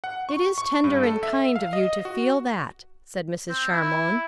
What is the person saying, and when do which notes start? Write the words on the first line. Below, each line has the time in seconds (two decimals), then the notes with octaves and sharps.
"It is tender and kind of you to feel that," said Mrs. Charmond.
0.04 F#5
0.29 C#6
0.58 C#6
0.84 G2
1.03 A4
1.23 E5
1.56 F5
1.73 D#5
2.05 F#4
3.49 C4
3.72 E4